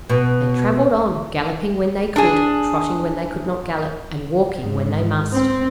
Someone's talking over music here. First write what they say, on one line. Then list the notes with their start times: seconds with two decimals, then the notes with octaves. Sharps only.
They traveled on, galloping when they could, trotting when they could not gallop, and walking when they must.
0.09 B2
2.16 D4 G#4
4.60 G#2
5.33 C4